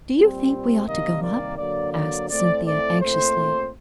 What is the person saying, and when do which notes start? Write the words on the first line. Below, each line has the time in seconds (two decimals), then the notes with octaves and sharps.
"Do you think we ought to go up?" asked Cynthia, anxiously.
0.14 A#2 G3 C4
0.86 C3 D#3 G3 A#3 D#5
1.22 D5
1.57 D3 F#3 A#3 D5
1.93 D5
2.28 A2 A3 C4 D5
2.65 D5
3.00 A#2 A3 C4 C5